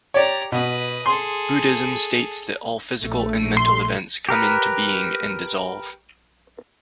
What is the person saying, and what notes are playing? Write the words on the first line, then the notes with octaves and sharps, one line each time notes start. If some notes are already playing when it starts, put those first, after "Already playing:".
Buddhism states that all physical and mental events come into being and dissolve.
G4 C#5 D5 A#5
B2 B4 D#5
G#4 A4 C6
A#1 A3
C6
G4 A#4 B4